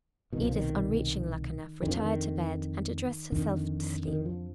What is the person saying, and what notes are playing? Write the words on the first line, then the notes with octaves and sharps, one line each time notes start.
Edith on reaching Luckenough retired to bed, and addressed herself to sleep.
C2 B2 D#3
F3
D#3
F2 D3 D#3 F3
D#3
F2 D3 D#3
D#3
F3